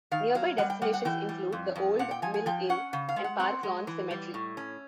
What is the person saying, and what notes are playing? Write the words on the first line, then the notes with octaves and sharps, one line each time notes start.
Nearby destinations include the Old Mill Inn and Park Lawn Cemetery.
D#3 F5
F#3 F5
G3 F#5
G5
G3 F#5
F#5
E3 G5
G3
F2
F2
A#2 F#5
G5
F3 G#5
G#5
F3 G5
C#4 F#5
C#3
F5
G#3
F#5
C4 F#5
G#3
E3
G3
A2
C#4